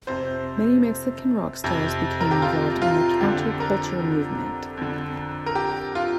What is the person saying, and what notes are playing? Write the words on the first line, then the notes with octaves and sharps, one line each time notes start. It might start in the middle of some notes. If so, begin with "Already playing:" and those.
Many Mexican rock stars became involved in the counterculture movement.
F2 C3 C5
F2 C3
A#4
G4
F4
F4
F2 D3 G4
A#4
F2 D3
A#4
G4
F4